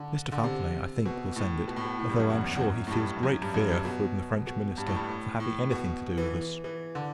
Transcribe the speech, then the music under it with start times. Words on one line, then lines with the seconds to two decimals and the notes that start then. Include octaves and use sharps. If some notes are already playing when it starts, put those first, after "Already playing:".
Mr. Falconet, I think, will send it; although, I am sure, he feels great fear from the French minister, for having any thing to do with us.
Already playing: D3
0.32 D3
0.44 C3
1.05 B2
1.36 A2
1.68 B2
1.76 A2
1.85 B2
1.99 A2
2.10 G2
2.20 F#2
2.30 E2
2.56 E2
2.61 F#2
2.87 A2
2.91 G2
3.23 F#2
3.42 G2
3.54 F#2
3.70 G2
3.85 B2
4.47 B2
4.78 G2
4.88 A2
4.96 G2
5.08 A2
5.40 A2
5.71 B2
6.18 E3
6.34 E3
6.64 E3
6.95 D3